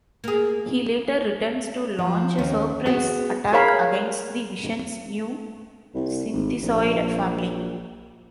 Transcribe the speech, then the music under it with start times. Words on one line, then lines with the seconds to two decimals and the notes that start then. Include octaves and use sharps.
He later returns to launch a surprise attack against the Vision's new synthezoid family.
0.24 A#3 G#4
1.99 F3
2.38 D#2 C#4
2.86 B3 F#4 G#4
3.52 G#4 A#4 C#5 F5 B5
5.95 C2
6.33 G#1
6.63 A#1